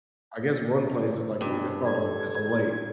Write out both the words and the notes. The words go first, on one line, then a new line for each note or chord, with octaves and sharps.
I guess one place is, like, we it's called a it's a lake,
E2 G#3
G2 D#3 C#4
A4 G#6